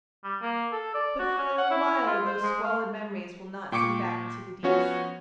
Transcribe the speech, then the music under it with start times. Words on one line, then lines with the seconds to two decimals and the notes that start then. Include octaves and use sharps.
But for a little while those squalid memories will not sink back into the deeps.
0.24 G3
0.42 A#3
0.72 A4
0.94 D5
1.19 F#4
1.38 C#4
1.58 F#5
1.71 E4
2.07 F4
2.25 C5
2.43 G#3
2.64 F5
3.72 A#2 G5 C#6 D6 C#7 D7
4.63 F3 B3 C#4 F#4 C#5